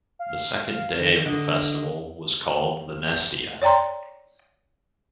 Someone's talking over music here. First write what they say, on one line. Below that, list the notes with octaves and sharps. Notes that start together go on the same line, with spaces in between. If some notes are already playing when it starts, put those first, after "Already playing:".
The second day of the festival was called the "nesteia".
F5
D#3
D3 D#5
C#5 D5 G5 A#5 C6